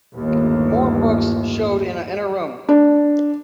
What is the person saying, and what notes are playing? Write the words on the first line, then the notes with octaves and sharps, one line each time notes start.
More books showed in an inner room.
G1 D#2 A2
D4